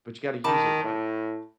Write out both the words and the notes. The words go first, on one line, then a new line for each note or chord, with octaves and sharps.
but you gotta use it right,
D#3 A5 B5 D6
A2